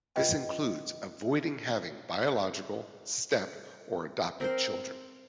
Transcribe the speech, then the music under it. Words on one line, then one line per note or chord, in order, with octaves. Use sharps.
This includes avoiding having biological, step, or adopted children.
F4 B4 D#5 F#5 G5
C4 A#4 C5